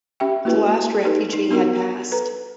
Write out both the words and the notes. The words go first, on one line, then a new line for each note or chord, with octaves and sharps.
The last refugee had passed.
C#4 G4 E5 G5
A#3 E4 F#4 G4 B4
D#4 G4 A4 B4
D#4
B3 D4 D#4 F#4 G4 A#4
A4 B4 A#5